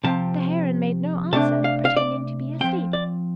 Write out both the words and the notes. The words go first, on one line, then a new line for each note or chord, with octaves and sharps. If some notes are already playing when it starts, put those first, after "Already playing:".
But the Heron made no answer, pretending to be asleep.
C3 F3 C4 A5
C3 A3 D4 A5
F5
F5
D5
F3 C4 G5
D5